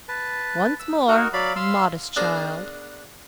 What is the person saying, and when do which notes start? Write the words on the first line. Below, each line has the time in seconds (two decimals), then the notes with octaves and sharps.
'Once more, modest child!'
0.08 B4 A5
0.80 E6
1.08 D#4 F#4 A#4
1.33 F#3 D5 F5 B5
1.56 F5 C6 E6
2.16 B3 D4 G#4 A#4 C5 D5